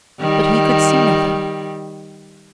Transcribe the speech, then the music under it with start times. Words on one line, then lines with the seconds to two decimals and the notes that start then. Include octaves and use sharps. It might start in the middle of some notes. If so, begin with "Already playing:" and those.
But he could see nothing.
0.21 D#3 G3